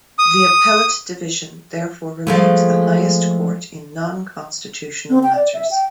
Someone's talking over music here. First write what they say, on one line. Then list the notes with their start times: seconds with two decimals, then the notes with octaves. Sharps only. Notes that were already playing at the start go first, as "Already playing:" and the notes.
The Appellate Division therefore remained the highest court in non-constitutional matters.
0.19 D#6
2.27 F3 G#3 A3
5.10 C4
5.23 G5
5.35 D5
5.54 E5
5.71 G5